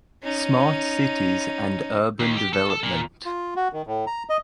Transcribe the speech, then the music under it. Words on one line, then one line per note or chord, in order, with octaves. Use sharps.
Smart Cities and Urban Development.
C#4 D#4
D#2
G4
A4
A4
A#2
F4
F#4
D#3
A2
A#5
D#5